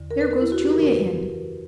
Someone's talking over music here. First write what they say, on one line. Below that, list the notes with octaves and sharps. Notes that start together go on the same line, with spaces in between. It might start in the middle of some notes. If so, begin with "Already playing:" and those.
There goes Julia in.
Already playing: E2 D3
A#4
B4
A#4
E4
F#4
G4
F#2 C#3 E3 A#4
A#4
B4